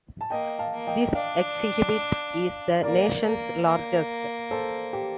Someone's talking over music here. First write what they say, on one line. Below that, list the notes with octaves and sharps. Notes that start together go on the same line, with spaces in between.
This exhibit is the nation's largest.
A5
A#3 D#5 G5
F5 A5
A#3
D#5 G5
D4 D5 F5
A#3 A#4 D5
A#3
A#3
A4 C5
G4